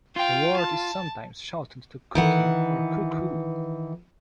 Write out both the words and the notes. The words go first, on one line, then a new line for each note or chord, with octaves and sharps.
The word is sometimes shortened to "cookie" or "coo-koo".
F4 F5 G5
A5
D#3 E3 F#5